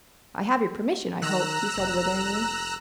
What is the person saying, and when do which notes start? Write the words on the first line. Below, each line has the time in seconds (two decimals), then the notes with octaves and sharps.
"I have your permission, I hope?" he said witheringly.
1.22 D#3 A#5 E6 F#6
1.76 F1